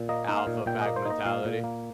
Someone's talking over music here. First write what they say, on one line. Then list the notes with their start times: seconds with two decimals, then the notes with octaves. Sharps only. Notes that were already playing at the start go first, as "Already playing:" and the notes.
Alpha pack mentality.
Already playing: A#2
0.09 A#3 D#5
0.28 D#4
0.37 F5
0.47 A#2
0.66 A#2 G5
0.81 A#3 D#5
0.96 C5
1.05 D#4 D#5
1.25 A#2 F5
1.45 A#2
1.64 A#3